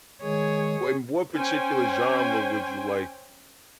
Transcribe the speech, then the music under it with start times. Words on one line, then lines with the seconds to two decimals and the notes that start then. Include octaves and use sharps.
in what particular genre would you like
0.23 D#3 G#3 G#4 C#5
1.34 C#4 C5 G5 G#5